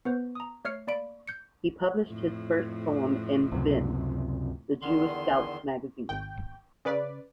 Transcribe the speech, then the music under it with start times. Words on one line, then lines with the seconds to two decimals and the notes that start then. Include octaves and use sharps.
He published his first poem in "Bin", the Jewish scouts magazine.
0.05 B3 B4 C5
0.35 A#5 D#6
0.65 A3 C#5 F6 C7 C#7
0.87 A#3 D5 B5 D7
1.27 G6 C#7
2.07 F2 A2
3.52 C#2 F#2 C3
4.82 E2 D3 D#3 C6
6.09 G#1 G5
6.85 C#3 B4 D5